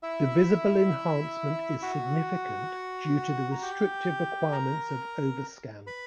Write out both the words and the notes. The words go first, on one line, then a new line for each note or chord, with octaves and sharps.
The visible enhancement is significant due to the restrictive requirements of overscan.
E4 E5
F#4 F#5
A#5
G4 G5
A#4 A#5
B4 B5